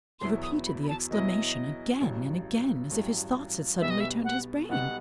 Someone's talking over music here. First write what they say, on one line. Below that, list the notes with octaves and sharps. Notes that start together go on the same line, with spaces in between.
He repeated the exclamation again and again, as if his thoughts had suddenly turned his brain.
E2 B2 F#3 B3 E4 C6
D#6
B5
B5
A5
E2 B2 F#3 B3 E4 D#5
A1 G2 F#3
A1 G2 F#3
B1 B2 G3 B3 D#4 E5
D#5
E5
F#5
B1 B2 G3 B3 D#4 F#5